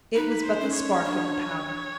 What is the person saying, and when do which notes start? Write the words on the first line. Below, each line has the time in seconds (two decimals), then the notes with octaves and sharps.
It was but the spark in the powder.
0.16 D#4 B4
0.45 C5
0.60 C#4
0.75 C#5
1.04 D4